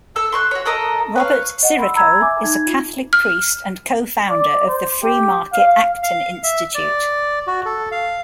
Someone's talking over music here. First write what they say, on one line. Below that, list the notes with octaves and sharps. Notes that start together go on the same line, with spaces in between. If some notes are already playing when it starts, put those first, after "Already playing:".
Robert Sirico is a Catholic priest and co-founder of the free-market Acton Institute.
A4 E6
C6 C#6 F#6
F#4 C#5
A4 A#4 D#5 A#5
B4 C#5 F5
D#5 F#5
B5 C6 E6
A#5 B5 E6 G#6
E5 G#5 D6
D#4 G#6
F4
F6
D5
C5
G4
F5
F5
E5
D5
F#4
A4
F5